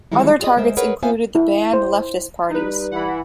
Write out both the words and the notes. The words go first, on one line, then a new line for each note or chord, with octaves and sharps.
Other targets included the banned leftist parties.
D#3 E3 G3 G#3 D#4 E4
F4 G4 G#4 D5 D#5
D2 G#3 A#4 C5 E5
G#4 A#4 B4 C#5 F#5
B3 F4 C5 E5 F5 G#5
E4
C5
G3 D#4 B4
E3 F#5 B5